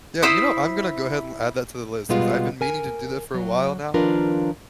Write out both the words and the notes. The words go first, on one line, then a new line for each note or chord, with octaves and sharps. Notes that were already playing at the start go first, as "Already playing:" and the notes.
Yeah. You know, I'm gonna go ahead and add that to the list 'cause I've been meaning to do that for a while now.
E4 C5 B5 D#6
B2 G3 G#3 B3 F4
A#4 G#5
F#3
D#3 F3 D4 F4 A#4 B4